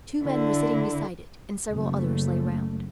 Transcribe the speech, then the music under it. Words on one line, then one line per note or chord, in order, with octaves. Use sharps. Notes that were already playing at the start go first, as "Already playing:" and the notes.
Two men were sitting beside it, and several others lay round.
D3 E4
F#1 A3